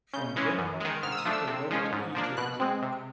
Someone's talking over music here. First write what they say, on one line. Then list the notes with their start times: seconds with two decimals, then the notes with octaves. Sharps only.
From Genoa he took a boat to Egypt.
0.13 C#3 G6
0.36 E3 G#3 C#4
0.58 F#2
0.80 D#3 G#3
1.03 G#2 F6
1.12 E6
1.18 D#6
1.25 F3 A3 D4
1.33 E6
1.48 C3
1.71 F3 G#3 C#4
1.93 G#2
2.15 F3 A#3 D4
2.37 B2 F#6
2.60 G#3 C4
2.82 C3